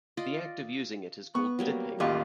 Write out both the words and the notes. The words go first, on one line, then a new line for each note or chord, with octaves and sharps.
The act of using it is called "dipping".
F4 D5 D#5
B3 C#6
F#3 G3 A#3
A1 D#2 F4 G4 D#5 C#6